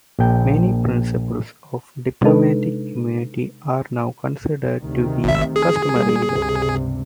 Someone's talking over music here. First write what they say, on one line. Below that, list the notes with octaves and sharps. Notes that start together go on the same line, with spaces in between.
Many principles of diplomatic immunity are now considered to be customary law.
A#1 G5
C3 G#3 D4 D#4 A4 B4
D2 C3 D#3
G#1 E5
G#4
G3 A#3
C#2 G2 C3